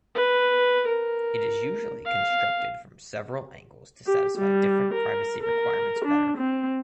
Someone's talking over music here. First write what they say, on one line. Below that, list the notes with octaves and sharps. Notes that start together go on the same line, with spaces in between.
It is usually constructed from several angles to satisfy different privacy requirements better.
B4
A#4
F5
G4
G3
A#4
A#4
D4
C4